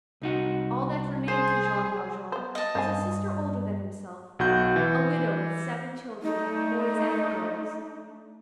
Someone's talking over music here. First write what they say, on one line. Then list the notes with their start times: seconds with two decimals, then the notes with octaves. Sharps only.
All that remained to Jean Valjean was a sister older than himself,--a widow with seven children, boys and girls.
0.22 C2 D#4 F#4
1.28 G#4 C5
2.32 B3 C5
2.55 D#5 A5
2.75 G2 C5 F5 G#5
4.39 B1 F#4 F#5 G6
4.76 E3
6.22 A3 D4 D#4